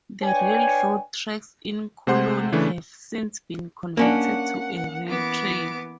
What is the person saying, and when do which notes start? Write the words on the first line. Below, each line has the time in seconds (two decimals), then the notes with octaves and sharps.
The railroad tracks in Colony have since been converted to a rail trail.
0.23 D4 B4 C#5 G5 G#5
2.07 C3 A3 C5 F#5 C6
2.52 C#3 E3 A3 D4
3.97 A#3 C#4 D4 F#5
5.07 E3 B3 D6